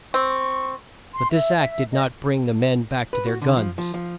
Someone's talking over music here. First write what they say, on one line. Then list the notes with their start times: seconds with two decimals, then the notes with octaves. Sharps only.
But this act did not bring the men back to their guns.
0.14 C4 C#6
1.14 C6
1.31 E5
1.57 E5
1.92 D#5
3.13 B4
3.27 F#4
3.42 D3
3.57 F3
3.78 F3
3.94 F3